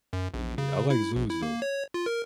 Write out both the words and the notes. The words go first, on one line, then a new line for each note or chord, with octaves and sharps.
Yeah. I like zoos, though.
F#2
A#1
C#3
E4
A#1
E4
A#3
C#5
F4
A#4